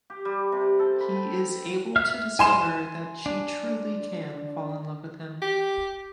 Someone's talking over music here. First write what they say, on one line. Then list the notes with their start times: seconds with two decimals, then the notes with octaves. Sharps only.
He is able to discover that she truly can fall in love with him.
0.10 G4
0.25 G3
0.52 C3
0.79 A4
1.00 B5
1.16 G5
1.96 E5 F6
2.39 G#5 C6 E7
3.26 D4
5.42 G4